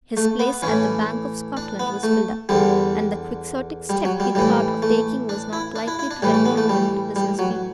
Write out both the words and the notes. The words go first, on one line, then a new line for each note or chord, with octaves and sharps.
His place at the Bank of Scotland was filled up, and the quixotic step he thought of taking was not likely to recommend him to business people.
A3
B3
A2 E3 C#4
D4
B3
A3
E2 D3 G3
G3
F#3
G3
A2 E3 G3
A3
D4
E4
D4
E4
E4
D4
A2 E3 G3
A3
B3
A3
G3
G3
F#3